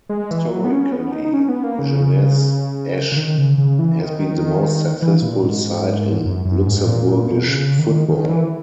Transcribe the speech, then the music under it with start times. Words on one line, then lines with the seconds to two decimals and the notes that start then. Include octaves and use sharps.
Historically, Jeunesse Esch has been the most successful side in Luxembourgish football.
0.09 G#3
0.31 E3
0.51 F#3
0.64 B3
0.72 C#4
0.92 B3
1.12 D#4
1.25 D#4
1.34 C#4
1.49 B3
1.63 A#3
1.79 C#3
3.12 C#3
3.17 D#3
3.38 C#3
3.58 C#3
3.79 E3
4.00 D#3
4.20 D#3
5.02 E3
5.22 A#2
5.43 G#2
6.25 F#2
6.45 F#2
6.66 G#2
6.86 A#2
7.06 A#2
7.27 B2
7.48 C#3
7.79 D#3
8.09 D#3
8.29 E3